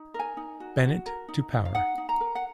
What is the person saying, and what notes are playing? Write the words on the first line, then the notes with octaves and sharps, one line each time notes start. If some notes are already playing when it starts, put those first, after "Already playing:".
Bennett to power.
Already playing: D#4
A#4
G#5
D#4
F#4
F#4
A#4
D#4
D#4
F5
D#4 F#5
D#4
A#5
A#4
F#5